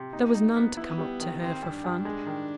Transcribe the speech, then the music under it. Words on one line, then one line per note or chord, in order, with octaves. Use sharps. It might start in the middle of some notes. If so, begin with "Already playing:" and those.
There was none to come up to her for fun.
Already playing: C3
A#3 D#4
D#4
B3
B3 E4
G3
D#3
D#3 C4
G2
D4
G2
G#3
D#3